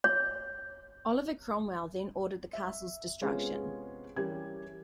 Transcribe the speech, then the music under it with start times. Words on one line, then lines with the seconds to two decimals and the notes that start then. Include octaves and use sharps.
Oliver Cromwell then ordered the castle's destruction.
0.04 C#5
2.53 E5
3.21 C3 G#3 B3 C#4 F4 G#4
4.16 E3 G3 C#4 G4 A#4 G#6